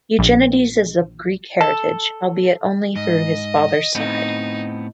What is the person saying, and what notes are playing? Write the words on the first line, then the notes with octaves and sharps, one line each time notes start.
Eugenides is of Greek heritage, albeit only through his father's side.
A#1
A4
G#2 D#5
A2 B3 C4 D#4